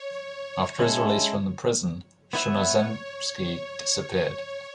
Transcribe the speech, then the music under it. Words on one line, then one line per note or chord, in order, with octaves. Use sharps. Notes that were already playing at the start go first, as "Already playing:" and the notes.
After his release from the prison, Chernozemski disappeared.
Already playing: C#5
G#3 C#4 E4 A4
B3 E4 B4 C#5 E5